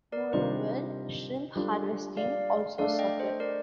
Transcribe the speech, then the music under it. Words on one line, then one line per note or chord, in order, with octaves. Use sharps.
Moreover, shrimp harvesting also suffered.
A#4 D5
C3 D#3 G3 D4 F4 C5 D#5
G3 D4 F4 A4
D5 F5
A3 D4 A4 D5 F5
D#5 G5
C5 D#5
A#4 D5